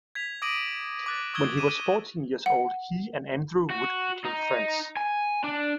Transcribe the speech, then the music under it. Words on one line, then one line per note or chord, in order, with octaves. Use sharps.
When he was fourteen years old, he and Andrew Wood became friends.
G#6 B6 F7
D6 D#6 A#6 D7 D#7 F#7
D6 F#6 A6
C#6 D#6 E6 G#6 G7
D6 D#7 E7
F#5
F#4
D#4
G#5
D4